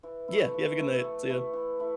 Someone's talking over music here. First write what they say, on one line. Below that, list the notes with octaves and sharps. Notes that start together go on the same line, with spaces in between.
Yeah, you have a good night. See you.
E3
A3 E4
E3
A3 E4
E3
A3 E4
E3
A3 E4